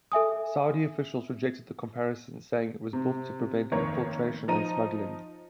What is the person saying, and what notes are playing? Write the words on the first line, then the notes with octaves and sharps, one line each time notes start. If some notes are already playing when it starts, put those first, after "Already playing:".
Saudi officials rejected the comparison saying it was built to prevent infiltration and smuggling.
A4 E5 G#5 D#6
C3
F1 D#3 A#3 C#5 C#6
F3 D#4 A#5 D#7